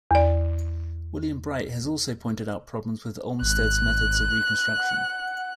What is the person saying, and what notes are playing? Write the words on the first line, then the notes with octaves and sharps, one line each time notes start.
William Bright has also pointed out problems with Olmsted's methods of reconstruction.
E2 D5
G#1 F#6
F#5